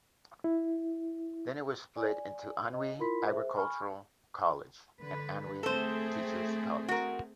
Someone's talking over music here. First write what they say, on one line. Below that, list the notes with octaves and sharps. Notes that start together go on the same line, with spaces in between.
Then it was split into Anhui Agricultural College and Anhui Teacher's college.
E4
D5 G#5
D#5
E4 F4 A#4 B5 C6 B6
G#4 C5 E5
G#5 B5 C#6 F6
D3 B4
A3 C4 G#4 A4 C5
F#4 A#4